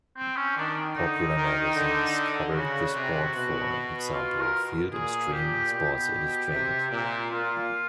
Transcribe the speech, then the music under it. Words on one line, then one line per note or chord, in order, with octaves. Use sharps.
Popular magazines covered the sport-for example, Field and Stream and Sports Illustrated.
C4
C#4
D#3 D4
D3 D#4
D#3
D3
C#3 F#4
C3
B2
F4
A#4
A#2 G#4
G4
B2 G4
C3
A#2
A#2 F4